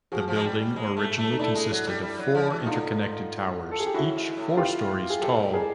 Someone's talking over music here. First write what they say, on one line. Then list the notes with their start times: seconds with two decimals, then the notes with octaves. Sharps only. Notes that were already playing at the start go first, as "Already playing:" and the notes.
The building originally consisted of four interconnected towers, each four stories tall.
0.12 F3 F#4 G#4
0.28 F3
0.35 G#3
0.44 G3
0.59 G3
0.76 G#3
0.97 A3
1.18 A3
1.32 D#4
1.39 A3 D4 E4
1.55 G#3
1.71 F#3
1.87 G3
2.02 G3
2.18 F#3
2.35 F3
2.50 E3
2.60 D#3
2.66 D3 D#4 F4
3.71 A4
3.79 G#4
3.86 G4
3.94 A2 E4 F#4
4.16 G#2
4.37 A2
4.57 F4 G4
5.10 G#4
5.21 G#2 G4 A4
5.53 G#4 A#4